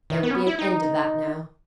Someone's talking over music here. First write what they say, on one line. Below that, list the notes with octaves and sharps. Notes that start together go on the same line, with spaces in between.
There will be an end of that now.
D#3
B3
C#4
B3
E4
D#4